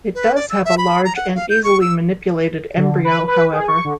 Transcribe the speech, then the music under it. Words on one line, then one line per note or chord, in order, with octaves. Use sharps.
It does have a large and easily manipulated embryo, however.
B4
D5
E6
E5
B5
A#5
F#5
F5
G6
C#6
E6
D3
B4
B4
G#4
C#6
D3